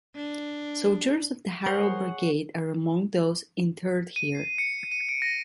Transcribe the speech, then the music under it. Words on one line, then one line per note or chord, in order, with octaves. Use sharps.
Soldiers of the Harel Brigade are among those interred here.
D4
G3 G#4 A#4 C5 C#5 F#5
D#7
C7
C#7
D#7
D7
A#6